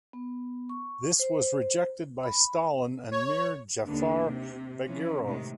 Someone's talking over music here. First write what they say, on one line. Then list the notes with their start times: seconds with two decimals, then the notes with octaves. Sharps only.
This was rejected by Stalin and Mir Jafar Bagirov.
0.13 B3
0.69 C#6
1.19 C5
2.23 B5
3.11 C#5
3.85 D#2 D3 A#3 B3 D4
4.24 C3
4.83 E3 F3 C#4
5.23 A2 C3 D#3 G#3 A3